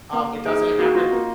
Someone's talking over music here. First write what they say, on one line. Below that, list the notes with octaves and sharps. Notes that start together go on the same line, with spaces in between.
um, it doesn't happen
A#3
D#4 G#4
A#3 F#4
F4
A#3